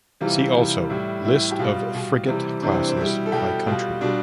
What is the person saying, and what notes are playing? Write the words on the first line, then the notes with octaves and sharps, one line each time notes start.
See also List of frigate classes by country.
C3 E3 G3 F4
C3 E3 G3
A2 G3 E4
A2 G3 E4
G4
B2 G3 F4
B2 G3
C3 E3 G3
C3 E3 G3 D4
C4
C4
B2 G3 E4
A4
B2 G3 G4
B2 G3 F4
B2 G3 D4